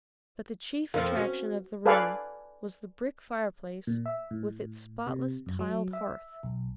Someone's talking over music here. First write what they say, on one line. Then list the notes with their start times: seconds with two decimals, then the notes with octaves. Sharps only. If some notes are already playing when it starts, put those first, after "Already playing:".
But the chief attraction of the room was the brick fireplace with its spotless tiled hearth.
0.94 F2 F3 A#4 F5
1.17 C#4 F#4
1.86 A4 B4 D5 F5 G#5
3.87 A#2
4.06 E5
4.31 A2
5.07 C3
5.46 F#2
5.59 F#3
5.93 E5
6.43 B1